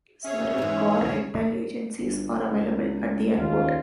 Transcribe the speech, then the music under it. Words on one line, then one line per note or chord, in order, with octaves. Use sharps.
Several car rental agencies are available at the airport.
C#4 G#4 C#5 E5
G#2 E3
G1
C#2
D#2 C#3 F4